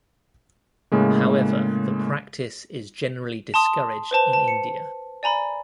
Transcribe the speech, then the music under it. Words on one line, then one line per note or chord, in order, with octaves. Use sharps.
However the practice is generally discouraged in India.
A2 C#3 G#3 A#3
A5 C6 D#6
B4 C5 A5
A5
C#7
D5 G#5 A#5 B5